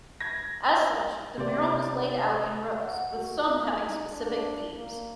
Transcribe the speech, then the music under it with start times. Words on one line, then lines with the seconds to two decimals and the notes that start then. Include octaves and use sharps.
As such, the mural was laid out in rows, with some having specific themes.
0.21 G#6 A#6
1.38 C3 C5 D5
2.82 F#5
3.12 F#4
3.41 E4
3.79 D#4
4.08 D4
4.74 A#3